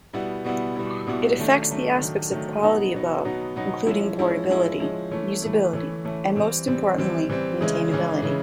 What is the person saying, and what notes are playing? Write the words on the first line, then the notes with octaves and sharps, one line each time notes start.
It affects the aspects of quality above, including portability, usability and most importantly maintainability.
B2 G3 B3 E4
B2 G3 B3 E4
B2 G3 B3 E4
B2 G3 B3 E4
D#3 F#3 A3 D4
D#3 F#3 A3 D4
D#3 F#3 A3 D4
D#3 F#3 A3 D4
B2 F#3 B3 D#4
B2 F#3 B3 D#4
B2 F#3 B3 D#4
B2 F#3 B3 D#4
F3 G#3 C#4 E4
F3 G#3 C#4 E4
F3 G#3 C#4 E4
F3 G#3 C#4 E4
E3 A3 C#4 E4
E3 A3 C#4 E4
E3 A3 C#4 E4
E3 A3 C#4 E4
E3 G3 C4
E3 G3 C4
E3 G3 C4
E3 G3 C4
C#3 E3 G#3 C#4 E4
C#3 E3 G#3 C#4 E4
C#3 E3 G#3 C#4 E4